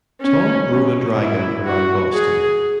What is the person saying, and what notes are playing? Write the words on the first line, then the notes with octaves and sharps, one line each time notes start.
Tom rode a dragon around Boston.
C#4
C#4
E4
F#4
G#4